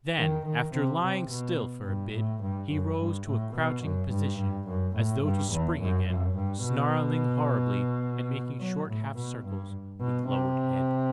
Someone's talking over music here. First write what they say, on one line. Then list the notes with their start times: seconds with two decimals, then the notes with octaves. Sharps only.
Then, after lying still for a bit, he rose to a crouching position as though to spring again, snarling horribly and making short half-circles with lowered head.
0.18 D#3
0.45 D#3
0.73 C3
1.02 C3
1.29 B2
1.85 G2
2.13 A2
2.42 G2
2.70 F#2
2.99 G2
3.26 A2
3.54 B2
3.82 F#2
4.10 G2
4.38 G2
4.67 F#2
4.95 A2
5.23 G2
5.51 E2
5.79 F#2
6.07 F#2
6.36 G2
6.64 B2
8.60 F#3
8.88 A2
9.16 B2
9.44 G2
10.00 B2
10.28 C3